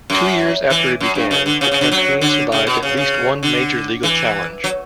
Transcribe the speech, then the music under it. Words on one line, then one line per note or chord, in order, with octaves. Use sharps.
Two years after it began, the campaign survived at least one major legal challenge.
F#2
E3
F#2
G2
C#3
D3
C#3
C#3
D3
F#3
D3
C#3
B2
C#3
C#3
D3
E3
F#3